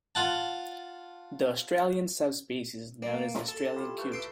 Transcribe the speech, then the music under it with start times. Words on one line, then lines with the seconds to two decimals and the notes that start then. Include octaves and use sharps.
The Australian subspecies is known as the Australian coot.
0.15 F4 F#5 A5
3.02 A#3
3.48 A4
3.76 G3 E4 F4
3.98 A3 B4 A5
4.12 E5 C6 D6